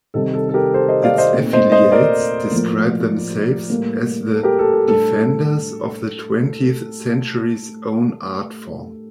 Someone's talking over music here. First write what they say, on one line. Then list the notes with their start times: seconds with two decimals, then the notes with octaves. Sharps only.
Its affiliates describe themselves as "the defenders of the twentieth century's own art form".
0.14 C3 D#3 G3 C4 D#4 A4
0.34 A4
0.49 A4
0.54 G4 A#4
0.74 A4 C5
0.88 C5 D#5
1.03 D5 F5
1.18 C5 D#5
1.32 A#2 A3 C4 D#4
1.53 C5 D#5
1.72 C5 D#5
1.92 A#4 D5
2.51 A2 F3 A#3
3.70 A2 G3 A#3
4.34 A4
4.43 G4 A#4
4.59 A4
4.73 A4
4.88 A2 G3 D4 A4